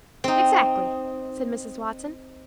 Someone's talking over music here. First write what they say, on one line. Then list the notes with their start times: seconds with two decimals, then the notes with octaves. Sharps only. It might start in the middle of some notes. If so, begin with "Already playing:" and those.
"Exactly," said Mrs. Watson.
0.24 C4 D#4